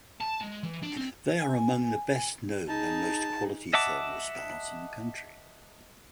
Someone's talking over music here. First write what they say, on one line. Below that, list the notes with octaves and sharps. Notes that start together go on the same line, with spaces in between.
They are among the best known and most quality thermal spas in the country.
A5
G#3
E3
D4
C4
G#5
D#4 G#4 A5
D#5 E5 F#5 A5 D6